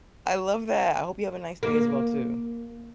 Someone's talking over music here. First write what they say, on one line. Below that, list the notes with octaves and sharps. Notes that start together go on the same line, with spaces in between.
I love that, I hope you have a nice day as well, too.
A#3